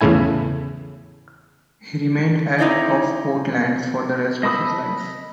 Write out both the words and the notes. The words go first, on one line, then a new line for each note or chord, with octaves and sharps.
He remained at of Oatlands for the rest of his life.
E2 A2 C#3 A3 E4 G#5
C4 D#4 E4 C5 D5
D#5 A5 B5 D#6 E6